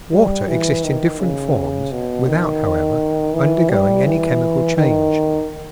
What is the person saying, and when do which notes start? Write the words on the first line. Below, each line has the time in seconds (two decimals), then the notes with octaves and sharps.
Water exists in different forms without, however, undergoing any chemical change.
0.13 G3
0.48 E3
0.84 D#3
1.20 C#3
1.92 B2
2.27 D#3
3.34 E3
3.70 G3
4.06 E3
4.78 D#3